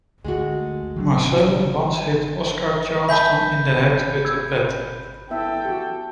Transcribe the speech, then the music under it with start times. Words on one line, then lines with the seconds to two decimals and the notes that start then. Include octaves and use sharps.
Marcelle once hit Oscar Charleston in the head with a bat.
0.24 D2 G#3 A3 F#4
0.96 D#3 F#3 D4
1.32 C3 D#3 E3 F#4
3.09 E5 G#5 A5 B5 G6 B6
4.25 E6 G#6
5.31 B3 E4 A4 E5 G5
5.65 F#4 G4